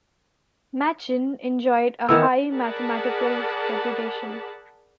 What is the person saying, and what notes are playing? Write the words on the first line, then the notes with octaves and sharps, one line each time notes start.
Machin enjoyed a high mathematical reputation.
D#3 E3 B3 E6
G#4 A#4 D5 F#5 A5 B5